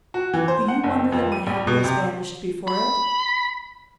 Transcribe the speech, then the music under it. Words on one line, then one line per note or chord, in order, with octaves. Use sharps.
Do you wonder that my happiness vanished before it?
F#4
E3
C5
F#5
F#1
F2
D#7
A#1
B2
C3
B5